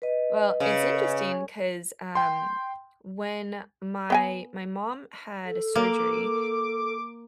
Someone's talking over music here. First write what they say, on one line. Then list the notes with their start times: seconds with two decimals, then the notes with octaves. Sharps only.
Well, it's interesting 'cause, um, when my my mom had a surgery
0.02 B4 D#5
0.60 C#3
2.15 G5 C6
4.10 B3 G5 G#5
5.45 A4
5.75 A#3 D6